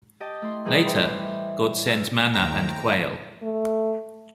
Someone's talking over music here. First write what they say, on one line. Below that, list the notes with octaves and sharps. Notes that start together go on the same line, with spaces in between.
Later God sends manna and quail.
G4 D#5 G5 A5
A3 E4 C6
E3 G3 G#4 A#4 G5
C5 E5 G5 B5 C6
A2 E3 G3
E6 F6
D#2 F3 A3 G5 A#5
A3